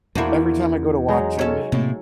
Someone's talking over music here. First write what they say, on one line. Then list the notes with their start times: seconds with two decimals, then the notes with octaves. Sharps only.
every time I go to watch 'em,
0.15 E2 A#3 D4 E4 F#4 C5
1.08 F#3 G#3 D#4
1.39 C#4 A4 C#5
1.72 A2 C3 A#3